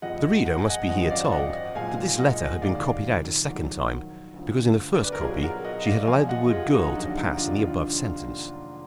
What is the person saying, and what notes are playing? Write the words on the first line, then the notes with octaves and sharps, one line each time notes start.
The reader must be here told that this letter had been copied out a second time because in the first copy she had allowed the word girl to pass in the above sentence.
F#1 F2 F3 G#3 D#5 F#5
F#5
G#5
D#5 F#5
G#1 F#2 F3 D#5 F#5
D5 F5
D#5 F#5
B1 A#2 G#3 F5 G#5
D#5 F#5
F1 D#2 D#3 G#3 D5 F5
F2 D#3 F#3
D2 D3 F3
D5
B4
A#4
B1 B2 F#3 F4 G#4
F#4 A#4
D#5 F#5
D5 F5
F2 F3 G#3 F5 G#5
D#5 F#5
F4 G#4
D#4 F#4
F1 D#2 D3 F#3 D4
D#4
D4 F4
D4 F4